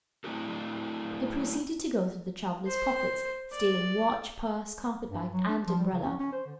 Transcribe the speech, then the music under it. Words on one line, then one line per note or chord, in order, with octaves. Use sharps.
They proceeded to go through the traveller's pockets, stealing watch, purse, carpet-bag, and umbrella.
A3 C4 D4 E4 F#4 A4
C5
D5
G2
F#3
D4
F3
G3
C#3
C#4
C#4
C5
D3